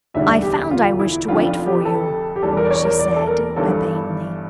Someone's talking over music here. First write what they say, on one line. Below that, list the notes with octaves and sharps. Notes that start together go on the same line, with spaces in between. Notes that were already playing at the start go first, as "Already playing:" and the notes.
"I found I wished to wait for you," she said urbanely.
E1 D2 D3 G3 E5
G4
F4
E4
F1 F2 D3 F4
F4
G4
A4
G4
E1 E2 E3 G3 A4
A#4
D5
C#5
A#4
D5
A4
A#4
G1 G2 E3 G3 A4